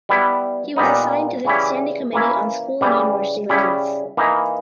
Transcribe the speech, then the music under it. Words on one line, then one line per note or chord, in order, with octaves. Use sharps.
He was assigned to the standing committee on school and university lands.
G3 B3 E4
A#2 G3 B3 D#4
C#3 E3 G3 C#4 E4
E3 A#3 C#4 E4
C#3 E3 G3
C#3 G3 C#4 E4
E3 A#3 D#4